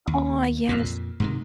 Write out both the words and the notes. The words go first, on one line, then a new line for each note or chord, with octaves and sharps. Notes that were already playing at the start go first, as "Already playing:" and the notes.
Oh, yes
D#2
F2 A#2
G#2 C3 D#3